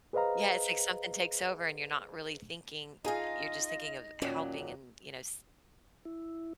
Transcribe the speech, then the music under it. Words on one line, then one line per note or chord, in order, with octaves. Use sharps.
Yeah, it's like something takes over and you're not really thinking eh, you're just thinking of helping and, you know, s
G#4 B4 C5 D#5 F5 A#5
D#4 F4 G#4 D#5 F5
D#2 A#2 F#3 C#4
E4